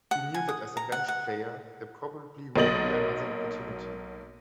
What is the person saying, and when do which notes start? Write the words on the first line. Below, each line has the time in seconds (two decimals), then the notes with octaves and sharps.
He knew that as a bench player, there probably wouldn't be another opportunity.
0.11 F#5
0.34 G#5
0.49 D#6
0.77 A#5
0.92 F#5
1.08 F#5
2.56 B1 F#3 A#3 D#5 A6 F#7